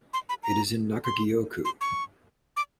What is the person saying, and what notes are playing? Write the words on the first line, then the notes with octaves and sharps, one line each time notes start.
It is in Nakagyo-ku.
C6
B5
A#5
C6
C6
C#6
D6